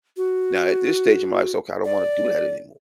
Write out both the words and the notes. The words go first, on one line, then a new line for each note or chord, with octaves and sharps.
now at this stage, I'm like, "So, okay, I don't wanna do that anymore."
F#4
D5